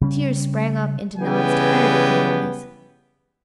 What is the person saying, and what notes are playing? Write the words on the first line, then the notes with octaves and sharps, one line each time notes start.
Tears sprang up into Nod's tired, aching eyes.
C#3 G3 C#4
C#3 E3 G3 B3 G5 G#5